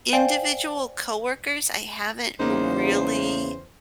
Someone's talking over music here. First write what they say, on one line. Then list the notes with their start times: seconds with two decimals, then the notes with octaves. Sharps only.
individual coworkers, I haven't really
0.13 C5 D5 F5 G5 G#5
2.40 E2 C#3 A#3 B3 D#4 C5